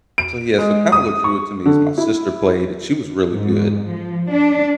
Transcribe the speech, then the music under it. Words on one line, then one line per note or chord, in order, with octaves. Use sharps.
So, yeah so kinda what drew it to me is my sister played and she was really good,
D7
G#3
D#6
C#6
D3
E4
G#2
F3
D4